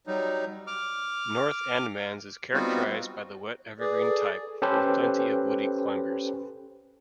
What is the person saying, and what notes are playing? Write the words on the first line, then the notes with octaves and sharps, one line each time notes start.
North Andamans is characterised by the wet evergreen type, with plenty of woody climbers.
F#3 G3 D#4
D6 F6
G3 B3 C4 D#4 F4 F#4
G#4 B4 D5
A4
C#4 G4 A4 B4 C5